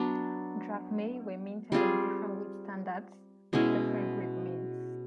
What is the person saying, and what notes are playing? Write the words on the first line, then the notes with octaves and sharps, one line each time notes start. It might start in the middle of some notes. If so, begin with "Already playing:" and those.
Drachmae were minted on different weight standards at different Greek mints.
Already playing: F#3 B3 D4
G3 C4 F4 G#4
B2 G#3 C#4 E4